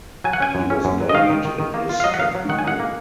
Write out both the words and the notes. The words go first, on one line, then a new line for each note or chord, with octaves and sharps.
He was buried in his cathedral.
F#3 G#5
F#5
C#4 G#5
F#2
C#4
F#2
F#3
D#5
D#3 F5
D#3
D#3
D#3
A#3
F4
F5
F#3 D#5
F#5
F#3 F5
F#3
D#3 F#5
G#5
D#4 F#5
A#3